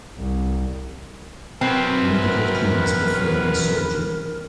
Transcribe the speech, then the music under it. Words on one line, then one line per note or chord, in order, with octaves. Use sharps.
A medical team is performing a surgery.
C2
F#2 B2 C4 A#4 B4